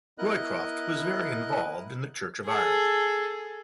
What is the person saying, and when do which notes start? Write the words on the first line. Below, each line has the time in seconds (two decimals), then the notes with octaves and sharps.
Roycroft was very involved in the Church of Ireland.
0.18 B3 E4 A#4 D#5 F#6
2.45 G#4 A4